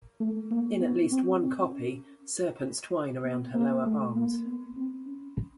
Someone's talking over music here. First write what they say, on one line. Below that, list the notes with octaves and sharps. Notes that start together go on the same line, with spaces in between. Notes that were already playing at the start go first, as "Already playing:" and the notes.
In at least one copy, serpents twine around her lower arms.
A3
A#3
B3
C4
C4
C#4
B3
A#3
A3
A#3
B3
C4
C#4